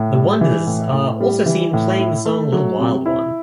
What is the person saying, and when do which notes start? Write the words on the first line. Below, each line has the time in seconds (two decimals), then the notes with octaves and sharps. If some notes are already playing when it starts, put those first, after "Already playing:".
The Wonders are also seen playing the song Little Wild One.
Already playing: A2
0.14 G3
0.41 E3
0.67 A2
0.93 A2
1.21 G3
1.46 E3
1.73 A2
1.99 E4
2.26 A3
2.52 F#3
2.78 C3
3.06 E4